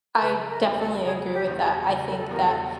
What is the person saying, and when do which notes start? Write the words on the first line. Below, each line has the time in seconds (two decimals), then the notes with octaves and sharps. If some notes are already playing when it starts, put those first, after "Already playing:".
I definitely agree with that, I think that,
0.16 A#4
0.22 F#1 B4
0.50 A#4
0.63 E2 B2 G3
0.77 A4
1.04 F#1 G#4
1.33 G4
1.47 E2 B2 G3
1.61 G#4
1.89 F#1
2.11 A#4
2.16 A4
2.31 E2 B2 G3 A#4
2.45 A4